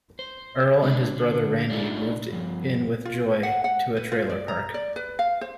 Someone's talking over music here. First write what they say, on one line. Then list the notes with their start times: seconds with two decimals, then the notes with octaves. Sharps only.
Earl and his brother Randy moved in with Joy to a trailer park.
0.19 C5
0.82 G#3 D4 F4 G4 G#4
1.17 D3
1.70 D4 D#4 F4 G4 D5 E5
2.30 G2 F3
3.05 F4
3.43 F#5
3.64 F#5
3.97 B4
4.12 F4
4.30 D5
4.48 A#5
4.74 D5
4.96 B4
5.19 F5
5.41 C5